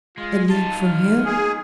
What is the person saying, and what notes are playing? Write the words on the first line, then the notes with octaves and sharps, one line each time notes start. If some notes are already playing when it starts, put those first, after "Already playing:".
"A league from here."
G#3 F4
D#4 F4 A5
F6
G#4